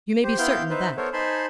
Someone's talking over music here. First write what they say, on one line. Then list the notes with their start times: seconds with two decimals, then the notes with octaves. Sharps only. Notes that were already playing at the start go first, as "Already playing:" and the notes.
You may be certain of that.
0.23 G4 C5
0.38 B3 E4 F5 G5 C6 G6
0.70 D#4 B4 C5 E5
0.97 B3 A4 A#4 C5 C#5
1.13 D#4 C5 G#5 A5 B5 C6